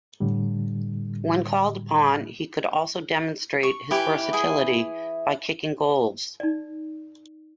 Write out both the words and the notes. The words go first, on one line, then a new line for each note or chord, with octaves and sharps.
When called upon, he could also demonstrate his versatility by kicking goals.
A2 D3 G3
C#6
E3 E4 G4 B4
E4 G#4
D#4 D5